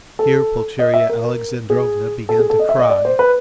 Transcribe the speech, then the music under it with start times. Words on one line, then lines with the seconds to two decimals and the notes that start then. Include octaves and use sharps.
Here Pulcheria Alexandrovna began to cry.
0.19 A4
0.79 D#5
0.94 E5
1.09 A#4
1.70 G#4
2.29 A4
2.39 G#4
2.50 A4
2.59 D#5
2.69 E5
2.79 D#5
2.89 D5
3.05 C5
3.19 B4